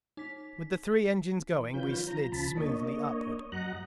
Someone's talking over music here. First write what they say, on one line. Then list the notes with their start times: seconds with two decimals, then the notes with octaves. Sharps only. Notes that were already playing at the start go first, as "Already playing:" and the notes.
With the three engines going, we slid smoothly upward.
0.17 D#4 B6
1.54 E3
1.74 D#3 F3 C#4 F4 B4 G6
2.07 F3 A#5
2.32 D2 C#3 F3 A5 B5
2.57 A#3 D4 C#5 D#5
3.52 F#2 F#3 D#5 F#5 A#5 F#6